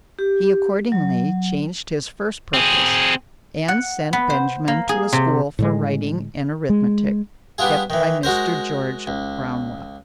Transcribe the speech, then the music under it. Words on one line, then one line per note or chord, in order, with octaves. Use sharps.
He accordingly changed his first purpose, and sent Benjamin to a school for writing and arithmetic, kept by Mr. George Brownwell.
G4
F#3
C4 G#4
F#5
B3
C5
A#3
G#4
C3
A2 D3 G#3
G#3
G3 B3 D4 F4 G#4
D#3 E3
G#3 F#4 A#4 C5
C#2